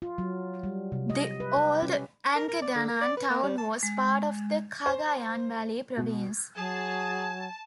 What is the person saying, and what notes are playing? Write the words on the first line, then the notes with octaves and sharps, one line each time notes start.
The old Angadanan town was part of the Cagayan Valley province.
F4
F#3
G3
C3
D#5
B4
G4
C#4
A#4
A#4
D5
D3
A#4
D5
B4
A#3
G3
A5
G#3
C5
B2
F#3 G#4 G#5 A5